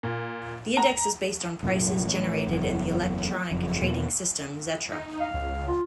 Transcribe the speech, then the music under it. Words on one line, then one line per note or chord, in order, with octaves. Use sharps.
The index is based on prices generated in the electronic trading system Xetra.
A#2
A#5
C2 F#2 A#2 F#3
A1
F#1 E2
F#1 F2
E2 B2 A#3
D#4
F5
C#2
F4